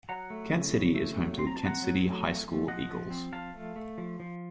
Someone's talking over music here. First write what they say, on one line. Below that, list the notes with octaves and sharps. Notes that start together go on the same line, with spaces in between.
Kent City is home to the Kent City High School Eagles.
F#3 F#5 A#5
A3
C#3
C#3
A3
F#3
C4 C6
A#5
A5
C4 F#5 A#5
F#3
A3
A3
F3
F3 D#5 F#5
F3
C4
F3 F5 A5
A3
A3
F3
F3